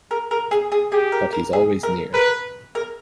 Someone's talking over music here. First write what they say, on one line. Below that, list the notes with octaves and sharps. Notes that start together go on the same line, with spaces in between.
But he's always near.
A#4
A#4
G#4
G#4
G4 G#4
A#4
A#4
G#4
A#4
A#4 B4
A#4